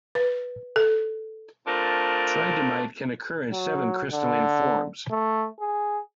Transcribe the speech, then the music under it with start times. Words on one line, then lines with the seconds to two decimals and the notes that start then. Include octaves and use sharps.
Tridymite can occur in seven crystalline forms.
0.15 B4
0.76 A4
1.67 A3 C4 D4 F4 A#4
3.51 F#3
4.13 D3
5.11 A3
5.60 G#4